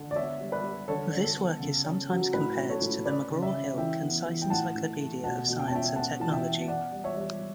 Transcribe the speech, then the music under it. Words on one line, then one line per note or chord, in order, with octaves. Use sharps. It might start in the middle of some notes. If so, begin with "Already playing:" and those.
This work is sometimes compared to the "McGraw-Hill Concise Encyclopedia of Science and Technology".
Already playing: D3
D5
B3 C#5 E5
G3
B4 D5
G3
D3 A4 C#5
D3
A4
B3
C#3
C#4
F#3
A2 B4
C#4
A4 C#5
A2
C#4 B4 D5
C#3
C#5 E5
C#4
E3 E5 G5
B3
E3
G5
A2 F#5 A5
A2
A3
B2 F#5 A5
B2
G5
A5
C#4 E5 G5
B3 F#5 A5
E3 A5
E5 G5
B3
B3 D5 F#5
G3
C#5 E5
G3